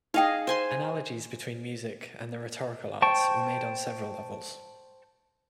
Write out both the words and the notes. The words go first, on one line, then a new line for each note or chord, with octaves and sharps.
Analogies between music and the rhetorical arts were made on several levels.
D#4 G#4 D#5 F5 G5
C5 G#5 C6
C5 G5 A5 C#6